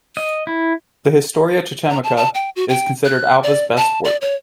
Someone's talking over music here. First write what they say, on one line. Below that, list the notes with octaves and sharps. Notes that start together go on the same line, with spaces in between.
The "Historia chichimeca" is considered Alva's best work.
D#5
E4
A#5
A5
A5
G5
F#4
G5
F#6
D5
A5
D5
C#5